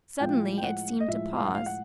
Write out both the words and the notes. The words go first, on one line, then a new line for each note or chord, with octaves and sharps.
Suddenly it seemed to pause.
A2 F3 G#3 G5
G5
F#5
D#5
A2 F3 G#3 E5
F5
F#5
F5
F#5